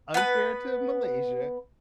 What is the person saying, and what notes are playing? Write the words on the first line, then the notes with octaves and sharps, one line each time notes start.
unfair to Malaysia,
B3 B4